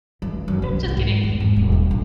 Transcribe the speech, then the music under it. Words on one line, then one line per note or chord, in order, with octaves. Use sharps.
Just kidding.
E3
F#2
C#3
C2
G#2
E2
G#1
D#1
A#2
A#1